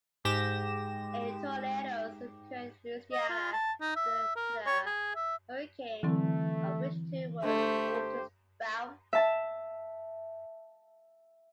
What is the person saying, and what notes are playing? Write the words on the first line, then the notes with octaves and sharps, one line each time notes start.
Eight tornadoes occurred in Louisiana due to the hurricane, of which two were waterspouts.
G#2 G4 A#6 E7
D#5
F4
A5
D#4
E5
A#4
C#5
G#4
E5
D3 E3 F#3 A3 C4
A3 D4 G4 C5
E5 A5